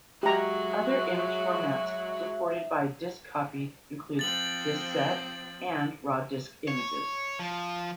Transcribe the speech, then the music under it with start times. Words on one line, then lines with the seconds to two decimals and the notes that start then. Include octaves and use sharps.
Other image formats supported by Disk Copy include DiskSet and raw disk images.
0.23 F#3 G#3 F#4 G4 E5 A#5
4.19 F3 C4 A6 F#7
6.68 C#5
7.39 F3